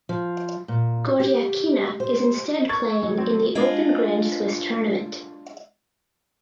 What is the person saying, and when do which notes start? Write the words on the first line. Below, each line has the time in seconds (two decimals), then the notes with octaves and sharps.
Goryachkina is instead playing in the Open Grand Swiss Tournament.
0.09 F3
0.68 A#2
1.20 G4
2.00 C5
2.69 C#6 G#6 A6
3.02 G#1 F#3 G3
3.18 C4
3.55 G#3 D4 F4